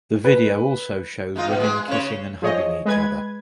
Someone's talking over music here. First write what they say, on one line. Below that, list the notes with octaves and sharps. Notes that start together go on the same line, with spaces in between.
The video also shows women kissing and hugging each other.
B4
G#3 D#4 F4
B2
G#3 G#4
C#3 C#5
F3 G#4 C#5 D#5
G#3 B4 G#6